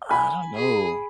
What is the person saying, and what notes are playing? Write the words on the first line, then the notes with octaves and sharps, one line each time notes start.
I don't know.
G#5 B5
G#4